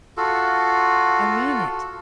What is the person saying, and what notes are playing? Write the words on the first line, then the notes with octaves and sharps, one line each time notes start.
I mean it.'
F4 F#4 A4